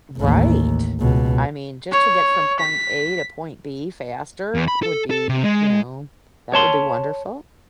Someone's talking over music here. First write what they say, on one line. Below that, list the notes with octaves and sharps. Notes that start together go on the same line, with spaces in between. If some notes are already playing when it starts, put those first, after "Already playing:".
Right, I mean, just to get from point A to point B faster would be, you know, that would be wonderful.
A1 D#2
C#2 B2
C#5
B6
E2
B5
A4
A4
C3
G#3
C#5 A5 C6